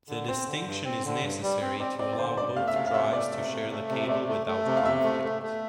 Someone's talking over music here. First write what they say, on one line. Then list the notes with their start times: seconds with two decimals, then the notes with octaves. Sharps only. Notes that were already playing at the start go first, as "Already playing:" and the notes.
This distinction is necessary to allow both drives to share the cable without conflict.
0.09 D3
0.28 C4 C5
0.47 D3
0.66 G2
0.85 C4
1.04 D3
1.23 G2
1.43 G3
1.61 C4
1.80 C4 D5
1.99 C4 D5
2.13 D5
2.18 D3 C5
2.37 G2 D5
2.56 A3 F5
2.67 E5
2.75 C3 F5
2.87 F5
2.94 A3 E5
3.13 A3 D5
3.32 C3 E5
3.52 A3
3.70 A3
3.90 C3
4.04 E5
4.08 A3 D5
4.28 A3
4.47 A3
4.66 C3
4.77 F5
4.84 C3 E5
5.03 A3
5.23 A3
5.42 A3